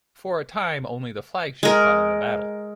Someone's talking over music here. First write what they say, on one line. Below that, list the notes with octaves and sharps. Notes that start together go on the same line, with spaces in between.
For a time only the flagship fought in the battle.
G#3 A#4